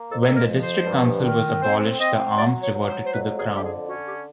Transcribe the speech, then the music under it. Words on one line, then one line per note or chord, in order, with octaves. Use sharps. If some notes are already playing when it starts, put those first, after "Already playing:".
When the district council was abolished the arms reverted to the Crown.
Already playing: A#3
F2 A4
A4
A#4
F3
C5
G2
D#3
C4 C5
C4 D#5
F#3 D5
C#5
F#3
C5
C5
F2 B4
G#4
D3 G4
G#4
C#4 F#4
G4